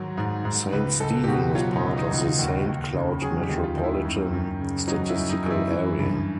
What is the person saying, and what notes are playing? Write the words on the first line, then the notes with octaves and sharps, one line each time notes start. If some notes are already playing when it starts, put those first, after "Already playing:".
Saint Stephen is part of the Saint Cloud Metropolitan Statistical Area.
Already playing: G#2 D#3 F#3
G#2
G#2
C#2 B4
C#2 A4
G4
B2 F#4
F#3 F4
D#4
C#2
D#4
C#2
F4
D#2 F#4
D#2
C#3
F#3 G#4
G4
D#2
F4
D#2
E4
F#2
F#2
C#3
F#3 D#4
E4
F#2
D#4
F#2
E4
E3
G2